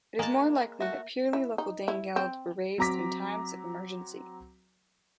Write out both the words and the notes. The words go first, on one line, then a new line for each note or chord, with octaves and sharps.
It is more likely that purely local danegeld were raised in times of emergency.
G#3 A#3 G#5 A5
A3 F#4 E5
E4
D#4
E4
C4
F#3 C4 A#5 D6 B6